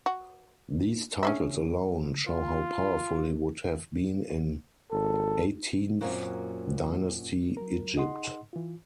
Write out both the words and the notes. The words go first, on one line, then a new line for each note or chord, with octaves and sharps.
These titles alone show how powerful he would have been in Eighteenth Dynasty Egypt.
F#4
C#4 D4 E5
F4
G#1 A4
F#2 A#2 F#3 A#3 C4 F#4
F#3 A#4
D#4 G#4 D#5 F#5 C6
E3 F4